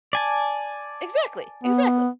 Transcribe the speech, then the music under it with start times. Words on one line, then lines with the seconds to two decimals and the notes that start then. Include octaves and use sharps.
Exactly, exactly.
0.13 D5 G#5 A5
1.63 B3